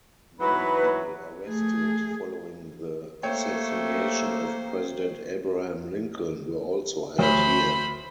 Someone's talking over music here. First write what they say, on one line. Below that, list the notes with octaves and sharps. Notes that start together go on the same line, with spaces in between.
Many people arrested following the assassination of President Abraham Lincoln were also held here.
G#2 E3 F#3 B4 B5
A3 G#4
A3 A#3 C5 C#5 G5
D2 F#3 C5 B5